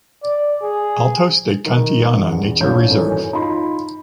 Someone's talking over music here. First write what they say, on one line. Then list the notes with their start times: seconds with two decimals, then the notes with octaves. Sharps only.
Altos de Cantillana Nature Reserve.
0.23 D5
0.62 G#4
1.65 D#3
2.15 A1 E2
2.61 A#1 G2 E4 C#5 G6
2.90 F#2 A2 D#3 E3 C#4
3.33 D#4 F4 B5 C6